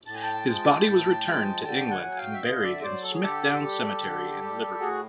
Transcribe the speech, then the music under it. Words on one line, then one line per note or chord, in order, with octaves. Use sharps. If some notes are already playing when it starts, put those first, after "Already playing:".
His body was returned to England, and buried in Smithdown Cemetery in Liverpool.
A2 A5
G#5
G5 A5
F3 G#3
A2
F3 G#3
D3 G5 A5
F#5 G#5
F#3
F5 G5
E5
D3 D#5 F5
D5 E5
F#3 C5 D5
A4
G#4
D3 G4 A4
G3
D3
G3
A2 F#4 G#4